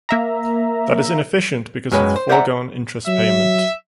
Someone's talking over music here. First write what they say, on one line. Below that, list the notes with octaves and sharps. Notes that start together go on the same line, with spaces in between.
That is inefficient because of the foregone interest payment.
A#3 E5 A#5
F#2 F#3 G#3 B4 G5
C5
C5 D5 E5 F#5 A#5
F#3 E5